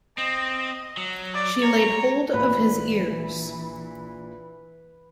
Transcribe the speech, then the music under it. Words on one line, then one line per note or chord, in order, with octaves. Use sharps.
She laid hold of his ears.
C4 D#5
F#3
D5
C#5 A#5
A#1 A#2 E3 B4